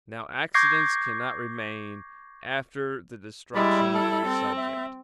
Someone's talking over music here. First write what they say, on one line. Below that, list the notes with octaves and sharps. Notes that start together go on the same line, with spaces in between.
Now accidents cannot remain after the destruction of the subject.
C#6 D6 G6 G#6 A#6 C7
G3 G#3 E4 D5 B5
A4
C4
E5